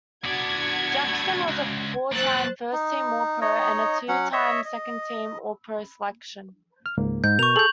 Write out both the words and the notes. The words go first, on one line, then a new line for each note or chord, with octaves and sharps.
Jackson was a four-time first-team All-Pro and a two-time second-team All-Pro selection.
B3 D4 F#4 D5 G#6
A3 B3
C#2
A#2 F#3 C5 F#6 A6
D#4
D#4 C#5 D#5
F#3 C#4 F#5
C#5 D#5 E5
D#5
F6
C#2 G#2 A#3
G#2 G6
B2 A#4 C#6 F7
G#4 A4 G6 F#7